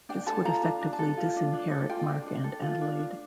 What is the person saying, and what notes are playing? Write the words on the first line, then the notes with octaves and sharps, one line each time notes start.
This would effectively disinherit Mark and Adelaide.
D4 G5
A4 A5
F4 A#5
D4
D4
A5
A4
F4
D4
D4
A4
F4 G5
D4
D4
A4
F4
D4
D4